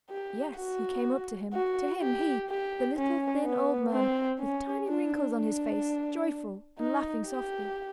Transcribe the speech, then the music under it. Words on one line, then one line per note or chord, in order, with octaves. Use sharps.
Yes, he came up to him, to him, he, the little, thin old man, with tiny wrinkles on his face, joyful and laughing softly.
G4
F#4
F#4
G4
G4
C#4
B3
C4
C#4
D4
D4
D#4
G4